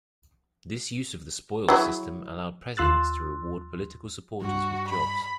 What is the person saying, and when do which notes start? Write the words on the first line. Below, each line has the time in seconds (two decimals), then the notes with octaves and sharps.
This use of the spoils system allowed presidents to reward political supporters with jobs.
1.68 F#3 E4 G#4
2.77 D#2 F4 C6 E6 F#6 A6
4.42 G2 F#4
4.88 B5